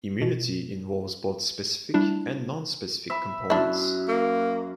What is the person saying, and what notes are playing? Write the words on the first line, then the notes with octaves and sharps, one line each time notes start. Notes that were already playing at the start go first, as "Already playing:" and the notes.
Immunity involves both specific and nonspecific components.
B2
G3 A3 D4 E4
E5 B5
F#2 D4 E4
A#3